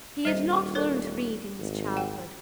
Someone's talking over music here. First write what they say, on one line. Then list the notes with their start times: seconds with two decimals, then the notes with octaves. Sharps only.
He had not learned to read in his childhood.
0.25 D#1 G3 C5 D#5
0.75 A4 A#4 C#5
1.59 G#1
1.97 F#5 G5